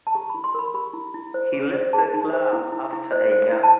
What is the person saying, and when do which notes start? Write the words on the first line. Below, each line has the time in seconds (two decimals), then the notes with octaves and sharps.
He left the club after a year.
0.07 A5
0.15 G4 A#5
0.30 B5
0.34 E4
0.44 C6
0.55 A#4 B5
0.74 G4 B5
0.93 E4
1.14 E4
1.34 C5
1.53 G#4
1.74 C5
1.93 G#4 A5
2.14 D#4
2.33 C5
2.53 E4
2.72 E4
2.93 E4
3.12 C5
3.32 C5
3.52 E4
3.63 A5